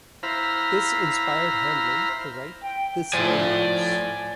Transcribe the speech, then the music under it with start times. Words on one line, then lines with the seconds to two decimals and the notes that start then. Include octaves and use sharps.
This inspired Hamblen to write "This Ole House".
0.23 E4 C5 F5 A#5 B5
2.62 G5
3.13 A2 F3 D5 G#5